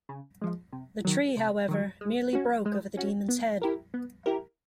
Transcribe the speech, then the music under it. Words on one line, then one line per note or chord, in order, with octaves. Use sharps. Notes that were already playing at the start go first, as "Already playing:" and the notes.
The tree, however, merely broke over the demon's head.
C#3
F3 G#3
C3
D#3 F#3
C3
D#3 F#3
G#3
C#4 F#4
G#3
C#4 F#4
B3
E4 G4 A#4
B3
E4 G4 A#4